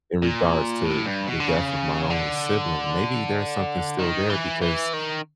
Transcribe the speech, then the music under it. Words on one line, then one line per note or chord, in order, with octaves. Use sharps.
in regards to the death of my only sibling. Maybe there's something still there," because,
A#2
A2
G2
B2
D3
C#3
D3
D#3
E3
E3
D#3